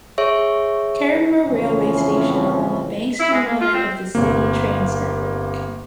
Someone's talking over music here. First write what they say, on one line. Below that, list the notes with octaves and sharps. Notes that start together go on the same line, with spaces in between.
Carramar railway station is on the Bankstown Line of the Sydney Trains network.
G#4 C#5 E5 C#6
F2 A2 C#3 E3 C4 C#4
E4
G#3
A#3
F4
C4
G1 C3 A#3